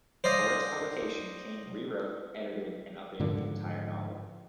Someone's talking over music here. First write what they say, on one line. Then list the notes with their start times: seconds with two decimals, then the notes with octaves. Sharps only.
For its publication King rewrote, edited, and updated the entire novel.
0.24 C5 D5 D#5 F5
3.20 G#2 D3 F3